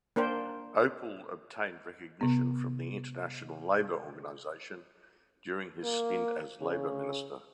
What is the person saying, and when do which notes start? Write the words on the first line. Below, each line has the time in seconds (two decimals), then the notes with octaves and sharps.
Ople obtained recognition from the International Labour Organization during his stint as Labor Minister.
0.16 A#3 D4 A#4 C5 G5
2.21 C3 B3
5.83 A#3
6.62 C#3